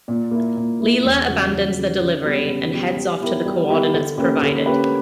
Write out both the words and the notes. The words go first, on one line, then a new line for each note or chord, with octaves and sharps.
Leela abandons the delivery, and heads off to the coordinates provided.
A#2
A#3 E4
A#2
A#3 E4
E2
C#3 F#3
E2
C#3 F#3
C#3
G3 B3
C#3
G3 B3
G3
B3 E4 G4 A#4
G3
B3 E4 G4 A#4
D3
A#3 C#4 G4 B4
D3
A#3 C#4 G4 B4